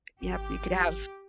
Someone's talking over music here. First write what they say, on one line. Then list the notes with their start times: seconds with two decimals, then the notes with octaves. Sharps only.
yep, you could have
0.22 G#1 G4